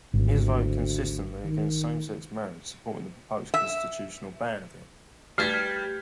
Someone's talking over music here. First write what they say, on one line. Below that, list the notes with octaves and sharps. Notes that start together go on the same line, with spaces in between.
He has voted consistently against same-sex marriage, supporting the proposed constitutional ban of it.
G#1 D2
D#3
E5
G3 A3 B4 F6 G#6 A6 B6